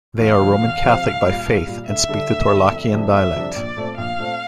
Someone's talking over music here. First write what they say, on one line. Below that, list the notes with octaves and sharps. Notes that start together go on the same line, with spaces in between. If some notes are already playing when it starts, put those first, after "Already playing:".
They are Roman Catholic by faith and speak the Torlakian dialect.
E2 F5
C3 F3 C4
E2
C3 F3 C4
C2
A#2 G3
C2
A#2 G3
D2 E5
D3 G3 D4 A4
D2
D3 G3 D4 A4
F1
F2 C3 G3 D4
F1 E5
F2 C3 G3 D4
A#1 D5
A#2 A3 C4
A#1 F5
A#2 A3 C4